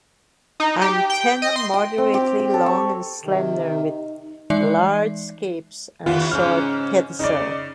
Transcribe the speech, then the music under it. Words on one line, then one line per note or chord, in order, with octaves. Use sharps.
Antenna moderately long and slender with large scape and short pedicel.
D#4
G4
G5
D#5
C6
G5
C4
G4
G4
A4
C#6
C3 D#3
D#4
E3 G#3 D#4 D5 E5 C7
D#2 E3 B3 F4
G#2 C#3 C#4 F6
C#3 D#4 D5